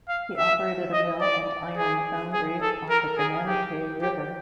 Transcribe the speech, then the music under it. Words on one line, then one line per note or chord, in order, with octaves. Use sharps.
He operated a mill and iron foundry on the Gananoque River.
F5
E5
D#5
D5
G#4
G#4
A4
A#4
G#4
G4
G4